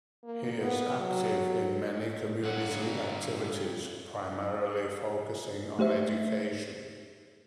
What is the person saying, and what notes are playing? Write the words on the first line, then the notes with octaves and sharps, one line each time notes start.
He is active in many community activities, primarily focusing on education.
A#3
B3
F#3
G2 F#5
A3 G4 C5 E5